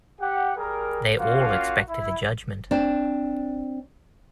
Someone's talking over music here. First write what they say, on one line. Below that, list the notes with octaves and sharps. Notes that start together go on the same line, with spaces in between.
They all expected a judgment.
G4 F#5
G3 G#4 A#4
A#3 C#4 F4 F#4 F5
E4
C4 D4